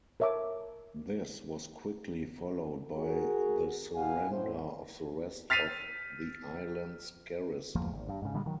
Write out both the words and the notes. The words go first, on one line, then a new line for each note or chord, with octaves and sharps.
This was quickly followed by the surrender of the rest of the island's garrison.
A#4 C#5 E5 A5 D6
F#4 G#4 A#4
B2 F5 F#5 G#5
A2 C5
F6 A6 B6 C7 D#7 F7
G1 E2 F3 A#3
G#1
G2
G#2 C#3
A#2 D3 G3 G#3
D#3 F#3